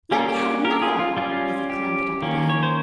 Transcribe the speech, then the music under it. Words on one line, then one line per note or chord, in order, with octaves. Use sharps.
"Let me have another!" as he clambered up again.
G3 A#3 C#4 G4
F4
G4
G4 A#4
F4 G#4
F4
G3 C#4 F4
G4
D#3 A#3 C#4
C#5
C5